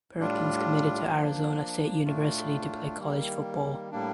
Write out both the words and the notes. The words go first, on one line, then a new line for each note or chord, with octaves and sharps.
Perkins committed to Arizona State University to play college football.
A2 G3 D4 F4
F3 A#3 D4
A2 A3 D4 F4
D#3 G3 A#3
A2 G3 A#3 D4